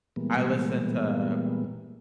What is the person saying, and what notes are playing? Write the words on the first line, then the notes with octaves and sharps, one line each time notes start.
I listen to
A#2 E3 G3 G#3 A#3 B3